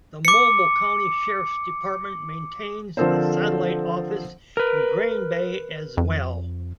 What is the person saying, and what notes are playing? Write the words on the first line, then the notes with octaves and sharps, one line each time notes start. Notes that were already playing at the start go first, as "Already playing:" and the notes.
The Mobile County Sheriff's Department maintains a satellite office in Grand Bay as well.
D6 C#7
D3 F3 C4 A4 A#4 C5
A#4 B4
F2